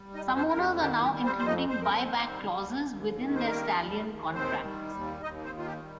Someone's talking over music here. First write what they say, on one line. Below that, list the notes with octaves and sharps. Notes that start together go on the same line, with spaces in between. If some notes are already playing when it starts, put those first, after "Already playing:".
Some owners are now including buy-back clauses within their stallion contracts.
Already playing: G3
D#4 D#5
F2
C4 C5
F2 A#4
G4
D#3 G4
G4
G3
C4 C5
F2 C5
D#4 D#5
F2 C5
A#4
D#3 C4 C5
G3
D#2
D#2
D#3
C5
G3 A#3 A#4
D#2
D#2
D#3 C4 C5
G3
D#2
D#2 D#4 D#5
C4 C5
D#3
F4
G4
G3